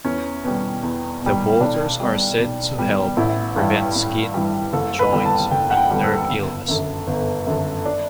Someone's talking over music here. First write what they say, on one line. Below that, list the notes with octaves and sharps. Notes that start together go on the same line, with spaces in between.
The waters are said to help prevent skin, joint, and nerve illness.
E2 C#4
B2 G3
E2
B2 G3
B1 D4
B2 G3
B1
B2 G3
A1 E4
G2 E3 G3
A1
G2 E3 G3
F#1 A4
B4
E2 D3 G3
A5
F#1 G5
F#5
G5
E2 D3 G3
A4
G1
F#2 D3
G1
F#2 D3
D4